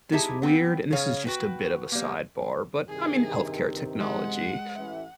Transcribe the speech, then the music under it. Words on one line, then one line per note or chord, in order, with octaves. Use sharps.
this weird and this is just a bit of a sidebar, but, I mean, health care technology,
D#4 E4 G4 G#4 E5 A5
B3 C4 G5
C#3 G#4 C#5 F5
F#4 B4 G5
G3 A#3
G2 C3 D#3 G#4
G#3 F#5
A1 E3 E5